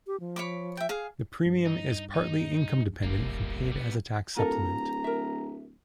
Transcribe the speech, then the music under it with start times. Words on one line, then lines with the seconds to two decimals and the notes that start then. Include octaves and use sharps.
The premium is partly income-dependent and paid as a tax supplement.
0.07 G4
0.20 F3
0.36 C#5 B5 D6
0.77 E5 G5
0.89 G#4 F5
1.45 G2
1.66 D#4
2.14 D#4
3.03 D1 G1 G3 A#3
3.72 G3 B3
4.37 D1 F4 A4 A#4 A#5
5.04 A#4 E5